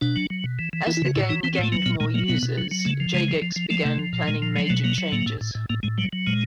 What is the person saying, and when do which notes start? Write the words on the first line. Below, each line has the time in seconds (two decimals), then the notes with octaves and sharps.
As the game gained more users, Jagex began planning major changes.
0.01 B2 D4
0.16 F#3
0.30 F#3
0.44 B2
0.59 E3
0.73 E3
0.87 E3 E4
0.97 E4
1.02 C#3 F#4
1.16 A2 E4
1.29 E3 D#4
1.43 E3 C4
1.54 C4
1.58 A2
1.63 A3
1.72 F#3 A#3
1.86 A#2 B3
2.00 A#2 G#3
2.14 F#3 A#3
2.28 B2 B3
2.43 B2
2.58 F#3
2.71 F#3
2.85 C#3 A3
3.00 F3
3.14 C#3 G#3
3.28 F3
3.42 F3
3.56 F3
3.70 F3 A3
3.85 C3 A3
3.99 F3
4.13 A#2
4.28 A#2 G#3
4.42 F3
4.56 F#3 G#3
4.70 B2 A3
4.84 F#3 A#3
4.98 F#3
5.12 A2 A#3
5.26 A2
5.41 A2
5.55 A2
5.70 A2 A#3
5.83 A2 G#3
5.98 F#3 G3
6.13 F#3
6.27 A#2 G#3